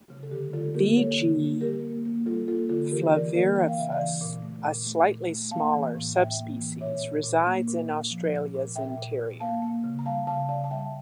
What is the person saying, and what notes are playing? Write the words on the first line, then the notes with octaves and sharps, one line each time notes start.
"V. g. flavirufus", a slightly smaller subspecies, resides in Australia's interior.
C#3
A4
D3 G4
D3 F4 A4
A#3 G4 A#4
A#3 A4 C#5
D3
A#3
G3 G4 A#4
A#3
A#3
G3 F4 A4
A#3 F4 A4
D3 F4 A4
E3 G4 A#4
E3 A#4 D5
A#3 A#4 D5
E3 G5
F5
C#3 E5
D5 F5
E3
A#2
A3
A#2
A3
A#2
A3
A#3 F5 A5
E3
A2
A2 E5 G5
A#3
E3
A#2 C#5 E5
A#2
A#2
A#3
A#2
A#2
F3
A#2
A#2
A#2 E5 G5
A#2
A#2
A#3 F5 A5
A#3
C#3
A#5
G3 F5 A5
C#3 F5 A5
C#3 D5 F5
A5
G3 E5 G5